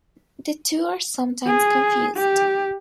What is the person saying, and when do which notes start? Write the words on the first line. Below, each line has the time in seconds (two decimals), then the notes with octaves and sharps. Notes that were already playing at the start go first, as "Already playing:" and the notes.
The two are sometimes confused.
1.46 G#4
2.17 G4